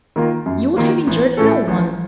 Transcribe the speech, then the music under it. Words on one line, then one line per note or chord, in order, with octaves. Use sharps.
You would have injured no one.'
D#3 A#3 F4
F#2
D#3 A#3 F4
A1
A2 A3 C#4 A4
A1